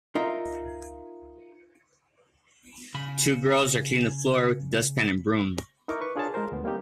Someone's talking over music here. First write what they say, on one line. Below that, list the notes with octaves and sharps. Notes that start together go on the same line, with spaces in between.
Two girls are cleaning the floor with a dustpan and broom.
D#4 F4 A#4 E5
C#3 B5
D#4 E4 A#4 C#6 D6
B4 C#6
D4 F4 G#4 A#4 C#5 A5
G#3 F4 A#4 C5
D2 B3
G3 A#3 C4 D#4 G4